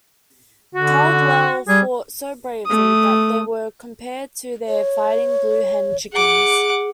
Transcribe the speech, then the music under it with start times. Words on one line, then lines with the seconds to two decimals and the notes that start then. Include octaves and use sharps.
Caldwell fought so bravely that they were compared to their fighting blue hen chickens.
0.75 D3 F#4
1.68 G3 G#4
2.66 A3 D#6
4.68 C#5
6.13 G#4 F#5 D6